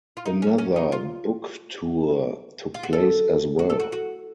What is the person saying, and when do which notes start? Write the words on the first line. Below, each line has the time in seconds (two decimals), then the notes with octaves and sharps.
Another book tour took place as well.
0.17 F4
0.26 D#4
0.42 C#4
0.58 C#4
0.76 D#4
0.92 F4
2.74 F4
2.83 F#4
2.93 A4
3.59 F#4
3.70 A4
3.80 F#4
3.92 F#4